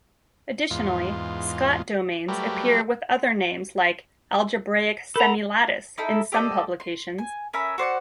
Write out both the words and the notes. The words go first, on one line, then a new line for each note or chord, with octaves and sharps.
Additionally, Scott domains appear with other names like "algebraic semilattice" in some publications.
E2 G#2 F4
F#3 G3 A3 G4 A#4 B4
A4 A#4 F#5 A#5 B5
D#4 E4 A4
G4 A4 D5 D#5
C6
G#5
C#4 A#4 E5 B5
F#4 C5 D5 F#5